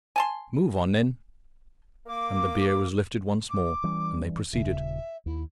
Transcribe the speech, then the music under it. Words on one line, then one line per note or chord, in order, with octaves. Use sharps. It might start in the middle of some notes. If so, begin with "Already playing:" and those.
"Move on, then." And the bier was lifted once more, and they proceeded.
G#5 A5 C6
A#3 D6
D6
E3 G3 C#4
D#1 C#3 E5
D#2 E4